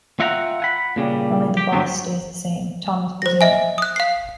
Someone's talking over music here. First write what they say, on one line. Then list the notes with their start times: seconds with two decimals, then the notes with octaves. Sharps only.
Only the 'boss' stays the same: Thomas Brezina.
0.20 F4 E5 F#5 G5 A#5
0.60 F#5 G#5 B5
0.96 A#2 C#3 G3
1.57 G4
1.72 G2 D3 F#3 B3 C4
3.22 C5 A#6
3.41 D#5 E5 G#5
3.78 D#6 F#6
3.96 F5 C7